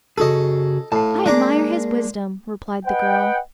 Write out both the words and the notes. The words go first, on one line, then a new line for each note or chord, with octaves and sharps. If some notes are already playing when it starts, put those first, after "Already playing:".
"I admire his wisdom," replied the girl.
C#3 F#4 G#4 A4 D#5
A2 F5 A5
G#3 A#3 D4 G#4 A#5 D6
B4 D#5 F#5 G5